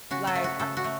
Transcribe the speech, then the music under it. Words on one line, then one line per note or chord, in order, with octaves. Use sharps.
Like, I
C#3 F#4
A4
A3
F#4
C#3 A4
F#4
A3